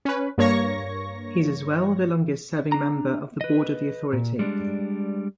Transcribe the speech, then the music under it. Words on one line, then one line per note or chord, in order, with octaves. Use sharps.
He is as well the longest serving member of the board of the authority.
C#4 B4
G2 A#3 C#5 C#6 A#6
D4 A#5
B4 D#5
A#2
G3 G#3 D4